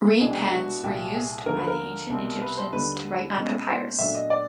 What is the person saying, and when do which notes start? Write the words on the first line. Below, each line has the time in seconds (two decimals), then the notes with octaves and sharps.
Reed pens were used by the ancient Egyptians to write on papyrus.
0.20 C2 B2 G#3 B3 D4 G#4
0.31 G4
0.41 G4
0.52 F#4
0.83 C2 A#2 G3 G4
1.15 G#4
1.46 D#2 D3 F3 A#3 A#4
1.57 B4
1.67 A#4
2.10 C2 B2 G3 C4
2.42 B4
2.57 C5
2.73 D#2 D3 G3 B4
3.36 B2 G#3 C#4
3.68 C5
3.99 A#2 F#3 A3 D4 E5
4.15 D#5
4.30 D5